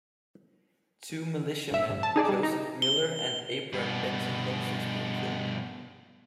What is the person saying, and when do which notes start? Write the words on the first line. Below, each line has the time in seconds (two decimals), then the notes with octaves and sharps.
Two militiamen, Joseph Miller and Abram Benton Moses, were killed.
1.71 G1 E5
1.90 G2
2.03 A5
2.16 D#4 G#4 D5
2.28 G3
2.43 D#4
2.82 G7
3.73 G2 B2